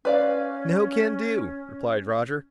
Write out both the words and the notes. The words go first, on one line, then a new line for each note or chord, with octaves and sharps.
"No can do," replied Roger.
C#4 B4 D5 F5